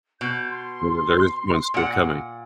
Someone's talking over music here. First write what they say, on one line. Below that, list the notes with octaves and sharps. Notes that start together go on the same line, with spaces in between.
Though there is one still coming.
B2 G6
C6
A#2 F#5